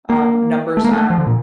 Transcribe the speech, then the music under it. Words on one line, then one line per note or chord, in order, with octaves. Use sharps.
um, numbers on
A#3
A3
A#3
A3
F3
D3
A#2